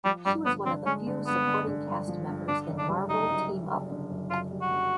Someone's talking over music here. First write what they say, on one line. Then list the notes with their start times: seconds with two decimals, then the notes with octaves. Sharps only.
She was one of the few supporting cast members in "Marvel Team-Up".
0.05 F3 G3
0.26 G2 G3
0.46 D3 B3
0.65 D3 C4
0.86 G#3 C#4
1.07 D3
1.26 G2 B3
1.46 D3
1.67 D3
1.87 G2
2.08 F3
2.28 G2
2.48 D3 D4
2.68 F#1
2.78 D4
2.88 G3
3.09 G3 D#4
3.29 F#2
3.49 G3
3.70 F#1
3.91 D3
4.10 F#2
4.30 F#2 F4
4.51 G3
4.62 F#4
4.71 F#1